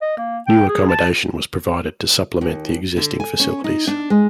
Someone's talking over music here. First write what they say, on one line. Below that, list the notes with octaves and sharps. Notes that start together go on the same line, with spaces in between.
New accommodation was provided to supplement the existing facilities.
D#5
A#3
G5
G#4
A5
D#2
D3
G#5
C#4
D#4
D4
G#3